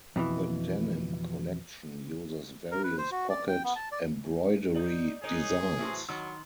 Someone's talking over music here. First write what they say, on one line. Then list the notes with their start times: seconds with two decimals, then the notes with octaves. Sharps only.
The denim collection uses various pocket embroidery designs.
0.16 F2 B2 D#3 E3
2.71 A#4
2.84 B4
2.98 C5
3.12 F#4
3.30 D5
3.48 G5
3.64 B3
3.76 A5
3.92 D5
4.76 D#4 D5 G6
5.24 D#4 G#4 A#4 C#5 F#6
5.78 A2 E3 F#3 C5
6.09 D#3 F#3 B5 C6 E6